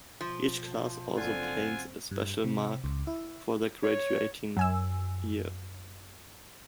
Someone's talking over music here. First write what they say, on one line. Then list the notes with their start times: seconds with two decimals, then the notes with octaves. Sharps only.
Each class also paints a special mark for their graduating year.
0.21 B2 F3
1.17 F#1 D3 C4 F4 F#5 G#5
2.11 G2
2.44 C3
2.84 C#2
3.07 E4
3.83 C#5
4.57 F#2 G#5 E6